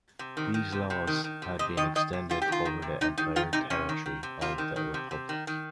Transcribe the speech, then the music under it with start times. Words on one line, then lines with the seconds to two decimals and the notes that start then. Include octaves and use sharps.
These laws had been extended over the entire territory of the republic.
0.19 C3
0.37 D#3
0.54 D#3
0.72 C3
0.90 C3
1.07 D#3
1.24 D#3
1.42 C3
1.59 C3 D#5
1.77 D#3 D#5
1.95 D#3 D#5
2.13 C3
2.30 C3 F4
2.42 G4
2.48 D#3 F4
2.65 D#3
2.82 C3
3.01 C3 D#4
3.18 D#3 D#4
3.36 D#3 F4
3.53 C3 D#4
3.70 C3 C#4
3.89 D#3
4.06 D#3
4.23 C3
4.41 C3 F4
4.58 D#3
4.76 D#3
4.94 C3
5.11 C3
5.29 D#3
5.47 D#3